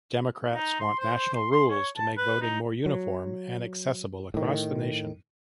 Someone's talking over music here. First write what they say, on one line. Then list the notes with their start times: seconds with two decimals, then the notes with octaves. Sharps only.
Democrats want national rules to make voting more uniform and accessible across the nation.
0.55 D#4
0.80 C6
0.99 C5
1.15 C5
1.34 C6
1.51 C6
1.70 C#5
1.97 A5
2.17 B4
2.41 D#4
2.86 F#3
4.34 A2 D#3